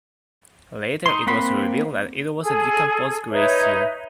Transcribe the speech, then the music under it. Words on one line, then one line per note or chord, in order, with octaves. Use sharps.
Later it was revealed that it was a decomposed grey seal.
D#4 C6
A#3 C4 F#5 B5 C6
G#4 A4
D#4 B4 C#5 E5